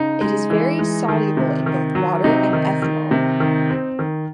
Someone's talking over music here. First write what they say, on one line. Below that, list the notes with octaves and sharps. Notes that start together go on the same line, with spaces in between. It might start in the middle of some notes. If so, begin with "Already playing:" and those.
It is very soluble in both water and ethanol.
Already playing: C#3 D#4
G#3
E3
G#3
D#3
C3
D#3
F#3
C3 D#4
D#3
D#3
C3
D#3
C4
D#3